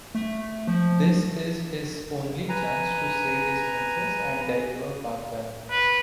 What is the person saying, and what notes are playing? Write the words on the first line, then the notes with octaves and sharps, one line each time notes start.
This is his only chance to save his princess and deliver Baghdad.
A3
F3
B4 G#5 A#5
B4